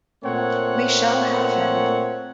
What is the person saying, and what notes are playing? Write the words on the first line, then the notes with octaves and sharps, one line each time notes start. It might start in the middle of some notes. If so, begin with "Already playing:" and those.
We shall have him.
A#2 A3 C4 A#4 C#5 F#5